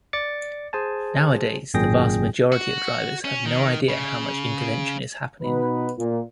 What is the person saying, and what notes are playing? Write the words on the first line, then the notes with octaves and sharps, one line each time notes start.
Nowadays, the vast majority of drivers have no idea how much intervention is happening.
D5 D6 A6 C#7
G#4 C5 G#5 A5
G#1 F#2 A#2 G#4 G5 A#6
F#4
C#4
D#3
C#3
B2 B3 D#4 B4
A#2